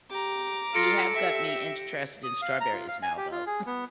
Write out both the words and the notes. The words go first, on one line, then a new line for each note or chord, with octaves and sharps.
You have got me interested in strawberries now though,
G4 A#5 D6
F4 A4 A#6 C#7 D7
G4 E5
D#6
F5
A#5
F4
F5
G#5
G4
F4
G#4
B3